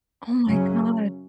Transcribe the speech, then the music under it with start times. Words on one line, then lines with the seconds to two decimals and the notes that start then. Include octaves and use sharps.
Oh my god.
0.48 F#2 C#3 F#3 C#4